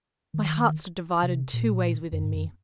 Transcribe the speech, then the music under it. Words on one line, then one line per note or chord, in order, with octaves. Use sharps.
My heart stood divided two ways within me.
D#3
C3
A#2
F#2
G#2
F#2